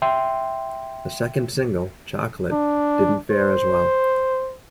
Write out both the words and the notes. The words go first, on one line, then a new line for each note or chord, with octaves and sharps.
The second single, "Chocolate" didn't fare as well.
E5 G5 C6
D4
C5